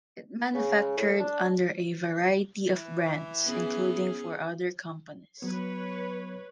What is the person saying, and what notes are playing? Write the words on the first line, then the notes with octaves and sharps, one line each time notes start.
It manufactured under a variety of brands, including for other companies.
C#3
A2
D4
E3
B3 C#4 G#4
F#3 B3 B4 C#5